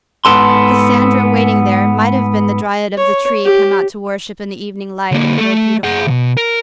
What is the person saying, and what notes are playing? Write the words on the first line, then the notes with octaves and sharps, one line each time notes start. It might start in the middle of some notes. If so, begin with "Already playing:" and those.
Cassandra waiting there might have been the dryad of the tree come out to worship in the evening light and grow beautiful.
G#2 B3 A4 C6
C#5
G4
D3 A#3
A3 A4
G#4 F#5
D#2 B2
A#4